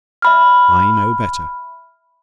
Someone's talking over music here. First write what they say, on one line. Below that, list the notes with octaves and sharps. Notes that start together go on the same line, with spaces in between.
I know better.
E5 B5 F6